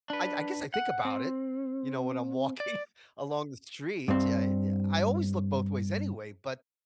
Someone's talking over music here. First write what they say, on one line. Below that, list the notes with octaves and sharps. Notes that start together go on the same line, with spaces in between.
I I I guess I think about it, you know, when I'm walking along the street. I always look both ways anyway, but
D4 B4
F#5
C4
D5
G2 C4